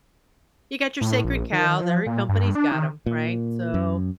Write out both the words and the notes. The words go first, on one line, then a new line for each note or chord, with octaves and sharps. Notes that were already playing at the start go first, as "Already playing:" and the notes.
you got your sacred cows, every company's got 'em, right? So,
A2
A#1
D#3
F3
A#2
G2
D4
D#3
A#2
F#2